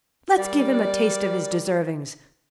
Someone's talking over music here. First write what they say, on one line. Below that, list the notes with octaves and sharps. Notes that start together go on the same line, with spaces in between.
Let's give him a taste of his deservings!
G3 A#4 D5